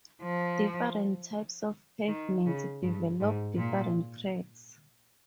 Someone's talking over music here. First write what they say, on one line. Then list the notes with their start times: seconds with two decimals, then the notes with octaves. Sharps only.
Different types of pavements develop different cracks.
0.22 F3
2.08 D#3
2.46 C#3
2.82 G2
3.20 G#2
3.57 A#2